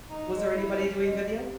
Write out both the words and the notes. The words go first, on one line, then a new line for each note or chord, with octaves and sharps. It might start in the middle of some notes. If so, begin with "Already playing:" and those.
was there anybody doing video?
D#4
G#3
E4
C#4
G#3
C3